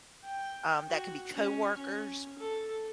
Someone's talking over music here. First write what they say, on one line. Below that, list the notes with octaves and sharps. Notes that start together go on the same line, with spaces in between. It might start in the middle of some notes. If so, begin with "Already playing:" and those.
um, that can be coworkers.
G5
F#4
C#4
C#4
A4